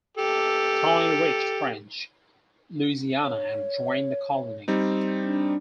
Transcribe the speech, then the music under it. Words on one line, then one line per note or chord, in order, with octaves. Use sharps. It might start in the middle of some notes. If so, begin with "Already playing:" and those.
Tonti reached French Louisiana and joined the colony.
G4 A4
C#5
G3 C4 D#4
D4